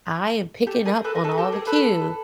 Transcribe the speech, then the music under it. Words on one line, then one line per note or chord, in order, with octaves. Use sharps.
I am picking up on all the cue.
G4 A4
G#4 A#4
A4 B4
A#4
A4 B4
G4 A4
G#4 A#4
A4 B4